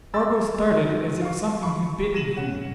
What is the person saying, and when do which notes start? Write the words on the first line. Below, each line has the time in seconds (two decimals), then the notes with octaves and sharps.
Spargo started as if something had bitten him.
0.14 B5 D6 E6 A6
0.71 G#2 D#3 F#3
1.21 F5 C#6
1.63 B5 C#6
2.14 A#6 D#7 E7 F#7
2.37 C#4 F#5